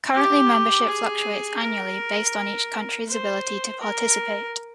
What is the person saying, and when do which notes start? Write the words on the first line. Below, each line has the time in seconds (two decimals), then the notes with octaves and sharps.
Currently, membership fluctuates annually based on each country's ability to participate.
0.14 G4
0.87 G#4
1.61 A#4
3.08 C5
3.80 A#4